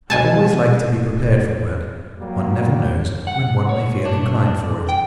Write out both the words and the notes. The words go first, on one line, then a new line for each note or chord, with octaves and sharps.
I always like to be prepared for work; one never knows when one may feel inclined for it.
B2 G#5 A5
F#3 G3 A#3
F#5
C#5
D4
G5